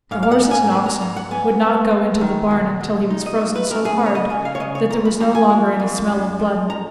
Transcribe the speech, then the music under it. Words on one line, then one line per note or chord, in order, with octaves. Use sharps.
The horses and oxen would not go into the barn until he was frozen so hard that there was no longer any smell of blood.
G#2 F5
F5
F#5
G#2
G#5
G#3 B5
A#5
G#2 A#5
F#5
B3 G#5
B3
G#3
D#3
B2
B2
D#4
D#5
A#3
B4
F#2 A#4
G#4
C#3
C#5
D#5
C#3 G#5
F5
C#5
C#3 D#5
C#5
F2 A#5
B5
F2 A#5
G#5
G#3
F2
F#2
F3
A#5